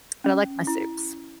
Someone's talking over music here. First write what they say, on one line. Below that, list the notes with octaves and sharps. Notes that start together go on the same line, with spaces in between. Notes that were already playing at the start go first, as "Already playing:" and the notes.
but I like my soups.
C#4
E4